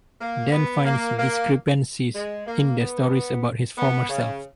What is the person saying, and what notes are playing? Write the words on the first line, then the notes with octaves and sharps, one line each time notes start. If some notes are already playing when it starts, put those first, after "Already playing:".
Dan finds discrepancies in the stories about his former self.
A#3
B3
A#3
A#3
G#3
A#3
B3
B3
C#3